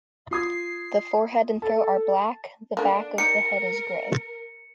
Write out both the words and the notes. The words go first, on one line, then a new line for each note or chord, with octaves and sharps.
The forehead and throat are black; the back of the head is grey.
F4 D#6 G#6 C7
A4 A5
D3 A#3 D4
D#4 G4 A#4 C#7